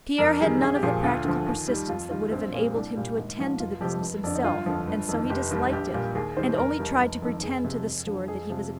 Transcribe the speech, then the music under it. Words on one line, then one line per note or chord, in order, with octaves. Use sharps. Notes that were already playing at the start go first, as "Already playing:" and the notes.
Pierre had none of the practical persistence that would have enabled him to attend to the business himself and so he disliked it and only tried to pretend to the steward that he was attending to it.
F2 A#4
D#3 G3 G#4
A#1 G#4
G4
A#2 F3 G#4
D2 F4
D3 F3
D#2
D#3 G3
F2 F4
D#3 G3 F4
A#1 C4
A#2 G3 A#3
C2 D4
A#2 G3
G#1
G#2 F3
F1 F4
F2 C3 F3 G4
F1
F2 D3 D5
D#4
G1 F4
F2 D3 F3
G1
F2 D#3
F1 G4
D#2 D#3 G3
A#1 G4
A#2 G3
D#2 G#4
D#3 G3 C5
F1 A#4
D#2 D#3 G3
F1
F2 D#3
F1 G#4
F2 C3 F3
F2
D3 F3
F2 G#4
C3 F3